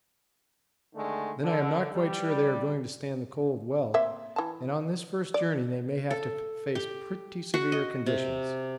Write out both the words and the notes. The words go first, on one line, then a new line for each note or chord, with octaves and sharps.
'Then I am not quite sure they are going to stand the cold well, and on this first journey they may have to face pretty severe conditions.
D3 D#3 G#3 A3
D3
G3
A#3 C4 E5
E3 A5
D5
A4
G4
F#4
D#5
C3